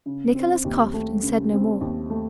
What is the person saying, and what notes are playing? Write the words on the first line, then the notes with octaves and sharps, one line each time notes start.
Nicholas coughed and said no more.
C#3
C4
D#2
A3
C#3
C4
D#2
A3